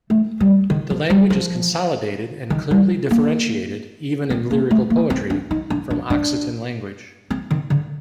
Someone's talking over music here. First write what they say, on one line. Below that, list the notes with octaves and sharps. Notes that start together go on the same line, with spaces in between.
The language is consolidated and clearly differenciated, even in lyrical poetry, from Occitan language.
A3
G3
D#3
F3
G3
F3
D#3
G3
A#3
C4
A#3
A3
A#3
C4
D4
D#4
D4
D4
D4
C4
D#3
D3